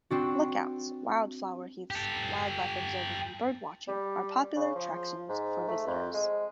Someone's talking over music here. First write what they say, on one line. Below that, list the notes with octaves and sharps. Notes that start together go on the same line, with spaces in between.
Lookouts, wildflower heaths, wildlife observing and birdwatching are popular attractions for visitors.
C4 D4 F#4
G4 A4
G3
C#3
F3
G#2
A3
F2
G#3